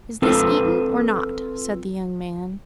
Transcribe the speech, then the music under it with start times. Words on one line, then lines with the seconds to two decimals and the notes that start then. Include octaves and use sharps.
"Is this eaten or not?" said the young man.
0.22 C4 F4 A4 B4